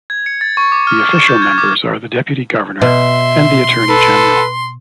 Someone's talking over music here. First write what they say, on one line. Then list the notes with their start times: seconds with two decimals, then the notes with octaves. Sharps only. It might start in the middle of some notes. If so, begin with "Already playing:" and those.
The official members are the deputy governor and the attorney general.
0.10 G#6
0.26 C#7
0.41 A6
0.57 C#6
0.72 D6
0.87 F6
1.00 F6
1.13 E7
1.28 G6
1.42 G#6
1.58 D6
2.81 B2 E5 C6
3.89 A4 B4